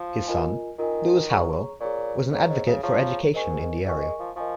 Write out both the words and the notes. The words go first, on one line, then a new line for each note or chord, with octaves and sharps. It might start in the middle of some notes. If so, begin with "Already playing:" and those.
His son, Lewis Howell, was an advocate for education in the area.
Already playing: F3
F4 A#4 D#5 G#5
D#3 F4 A#4 D#5 G#5
G#4 C#5 A#5 C#6
A#2 G#4 C#5 A#5 C#6
F2 G#4 C#5 A#5 C#6
G#2
C#3
F3 G#4 C#5 A#5 C#6
G#2 A#4 D#5 G#5 C#6
F2 A#4 D#5 G#5 C#6
G#3
F3
F3 A#4 D#5 G#5 C#6